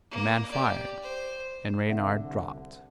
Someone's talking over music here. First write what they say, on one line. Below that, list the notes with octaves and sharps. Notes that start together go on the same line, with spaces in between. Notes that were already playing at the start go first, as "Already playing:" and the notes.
The man fired, and Reynard dropped.
A#3
G4 D5
C5
C2 D3 A4 E5 F#5